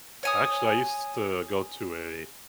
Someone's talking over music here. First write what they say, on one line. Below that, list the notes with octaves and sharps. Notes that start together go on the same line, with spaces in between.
Actually, I used to go to a
C#5 G#5 D#6